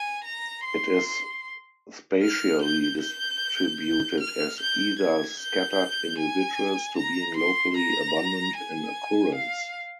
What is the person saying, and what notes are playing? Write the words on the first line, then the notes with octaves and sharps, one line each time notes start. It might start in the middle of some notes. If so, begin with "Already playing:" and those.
It is spatially distributed as either scattered individuals to being locally abundant in occurrence.
Already playing: G#5
A#5
C6
F6
G6
G6
G6
F6
G6
G#6
G6
G#5
A#5
C6
A#5
G#5
F5